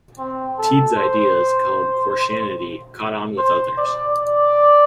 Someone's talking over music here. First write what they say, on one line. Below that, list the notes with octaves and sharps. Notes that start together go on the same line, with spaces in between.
Teed's ideas, called Koreshanity, caught on with others.
C4
A4
C5
C5
D5
D5